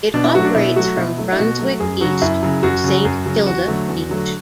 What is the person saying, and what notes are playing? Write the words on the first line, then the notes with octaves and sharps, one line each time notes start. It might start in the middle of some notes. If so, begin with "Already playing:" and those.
It operates from Brunswick East to Saint Kilda Beach.
B2 D4
E4
F#3 A3 F#4
D4
B2 E4
F#3 A3 F#4
B2 E4
F#3 A3
E4
B2 F#4
F#3 A3
F#2 G#4
C#3 F#3 F#4
F#2 E4
C#3 F#3
F#2 F#4
C#3 F#3
F#2
C#3 F#3
E2 F#4
D3 F#3 A3
E2
D3 F#3 A3